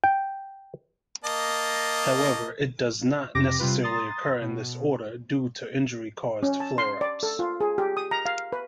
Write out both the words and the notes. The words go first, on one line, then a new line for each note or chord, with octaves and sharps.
However, it does not necessarily occur in this order due to injury-caused flare-ups.
G5
A#3 D#5 A5
F2 C3 G4 D6 A#6
C3 G3 F4 B4
A#5 C6 D#6 A6
B2
C#4
A5
C6
D5
A4
F4
G#4
G4
D#6
A#5
F5
B4